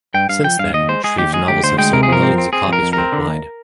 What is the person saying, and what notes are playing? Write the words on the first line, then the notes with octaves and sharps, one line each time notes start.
Since then, Shreve's novels have sold millions of copies worldwide.
G2 G5
G2 F5
F3 G5
G2 F5
D#2 D#5
G#3 C5
G#3 G#4
D#2 G4
G#3 G#4
D2 G4
D2 C5
G#3 G5
C3 A#4
G#4
F3 A#4
C4
C4
C4 G#4
F2
A#4
F2
A#4
C4
D3
D#2